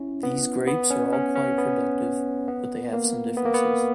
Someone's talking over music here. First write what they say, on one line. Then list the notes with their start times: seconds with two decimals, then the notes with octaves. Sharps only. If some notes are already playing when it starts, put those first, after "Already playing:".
These grapes are all quite productive, but they have some differences.
Already playing: C#4 E4
0.23 B3
0.67 B3
0.90 C#4
1.13 C#4
1.35 C#4
1.58 B3
2.48 B3
2.93 A#3
3.37 B3
3.45 A#3
3.54 B3